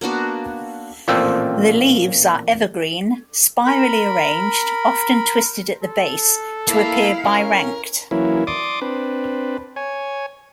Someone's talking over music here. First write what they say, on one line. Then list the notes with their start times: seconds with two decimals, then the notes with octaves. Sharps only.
The leaves are evergreen, spirally arranged, often twisted at the base to appear biranked.
0.01 A#3 B3 D4 F#4
1.08 A1 A#2 F3 C4 A4 G5
3.66 A#4 B5
5.83 A4
6.68 A#3 E4 F5
7.25 C#4 A#4
8.11 E3 F#3 A#3 C#4 E4
8.47 D5 C6 D6 D#6
8.82 C4 D4 B4
9.76 C#5 G#5